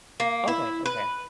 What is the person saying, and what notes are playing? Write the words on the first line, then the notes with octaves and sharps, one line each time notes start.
Okay, okay.
A#3
E4
B4